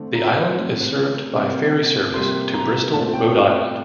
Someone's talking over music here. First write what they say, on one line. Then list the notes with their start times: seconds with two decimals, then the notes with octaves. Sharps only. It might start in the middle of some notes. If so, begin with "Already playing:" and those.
The island is served by ferry service to Bristol, Rhode Island.
Already playing: D3 A3 C4
0.15 A#5
0.54 D3 A3 C4
1.35 C3 G3 A#3
2.14 C3 G3 A#3 C6
2.54 A#5
2.93 A#2 A3 C4 A5
3.13 G5